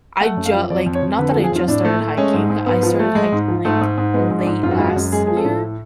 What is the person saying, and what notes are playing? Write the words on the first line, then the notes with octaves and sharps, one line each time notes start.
I ju like, not that I just started hiking, I started hiking like, late last year,
A3 F#5
F#2
F5
F3
F2 D5
F2
C#5
F2
D3 B4
A4
F3
G#4
F2 F4
A2 D4
A3
A3
G#3 C#4
G#2
G#2
G#2 B3
F3
A3
G#3
G#2
F3
G#2 A3
G#2
G#2
G#3 B3
G#2
D4
G#2
F#2 F4
F#4
G#3 F4
F#4
F#2
G#3 G#4
F3 G#4
A4
A2